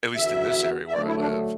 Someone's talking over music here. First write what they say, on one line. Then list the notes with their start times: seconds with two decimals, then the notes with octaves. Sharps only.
at least in this area where I live
0.16 E2 D3 B3 F#4 E5
0.88 E5
0.93 D3 F#3 A3 D5
1.07 E4
1.19 D4